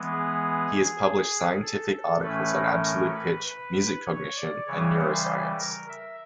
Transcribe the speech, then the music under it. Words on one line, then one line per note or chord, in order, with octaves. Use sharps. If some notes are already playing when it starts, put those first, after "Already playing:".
He has published scientific articles on absolute pitch, music cognition, and neuroscience.
Already playing: E3 G#3 B3
G#4
A4
A4
A2 E3 A3 C#4 B4
A#4
A#4
B4
B4
C#5
D5
C#3 E3 G3 C#5
C5
A#4
E5